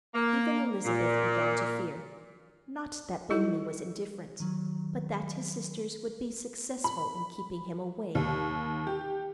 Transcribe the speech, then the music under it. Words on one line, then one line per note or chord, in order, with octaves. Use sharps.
Even Elizabeth began to fear--not that Bingley was indifferent--but that his sisters would be successful in keeping him away.
A#3
A#2
G3 D#4 E4 G4 A4
D#3 F#3
B5
D#2
G4